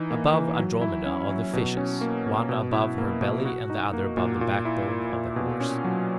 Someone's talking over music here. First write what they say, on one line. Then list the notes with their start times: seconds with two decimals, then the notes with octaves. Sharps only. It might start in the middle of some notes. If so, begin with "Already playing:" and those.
Above Andromeda are the Fishes, one above her belly and the other above the backbone of the Horse.
Already playing: E3 D#4
0.10 A#3
0.34 E3
0.59 F#3
0.81 E4
1.06 C#4
1.30 F#3
1.53 B2
1.77 C#4
2.01 A#3
2.26 B2
2.49 B2
2.73 E4
2.98 A#3
3.21 B2
3.45 F#4
3.70 D#4
3.93 A#3
4.17 A#2
4.41 A#2
4.65 E4
4.89 A#3
5.13 A#2
5.36 B2
5.60 C#4
5.84 F#3